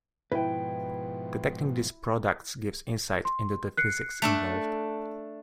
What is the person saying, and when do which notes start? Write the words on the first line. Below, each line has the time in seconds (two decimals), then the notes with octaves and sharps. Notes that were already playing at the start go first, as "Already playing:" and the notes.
Detecting these products gives insight into the physics involved.
0.32 G#2 B2 F3 E4 B4 G5
3.25 C6
3.77 F#6 C7 C#7
4.22 A3 D4 A4